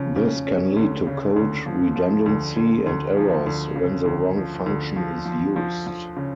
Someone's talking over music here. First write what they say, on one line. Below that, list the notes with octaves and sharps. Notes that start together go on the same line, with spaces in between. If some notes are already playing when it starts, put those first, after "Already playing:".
This can lead to code redundancy and errors when the wrong function is used.
Already playing: C#3 F3
C#3
C#4
D2
C#3
D2
F3
F3
D2
D2
D2
F3
D2
C#3
D2
F3
D2
F3
F3
F3
F3
C#3